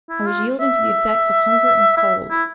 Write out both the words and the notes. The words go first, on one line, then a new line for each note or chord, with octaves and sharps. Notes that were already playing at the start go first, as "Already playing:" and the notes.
I was yielding to the effects of hunger and cold.
E4
F4
E5
E5
E4